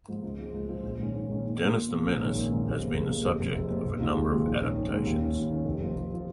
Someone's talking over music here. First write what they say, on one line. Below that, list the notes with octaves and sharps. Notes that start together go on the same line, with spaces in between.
"Dennis the Menace" has been the subject of a number of adaptations.
G#2 F3
C#2
C#3 F3 G#3
C#2
C#3 F3 G#3
A#1
G#2 D#3 C#4
A#1
G#2 D#3 C#4
A#2
A#3 F4
A#2
A#3 F4
A#1
G#2 D#3 A#3 C#4
A#1
G#2 D#3 A#3 C#4
F1
F2 C#3 A#3
F1
F2 C#3 A#3
F1
F2 C#3
F1
F2 C#3
F1
D#2 D#3 G#3 F4
F1
D#2 D#3 G#3 F4
A#1
G#2 D#3 C#4
A#1
G#2 D#3 C#4
D#2
D#3 C#4
D#2
D#3 C#4
F1
F2 F3
F1
F3